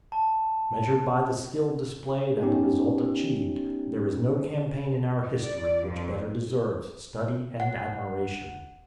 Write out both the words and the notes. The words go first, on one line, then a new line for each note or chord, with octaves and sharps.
Measured by the skill displayed and the result achieved, there is no campaign in our history which better deserves study and admiration.
A5
B3 C#4 D#4 G4
D5
F2
F#5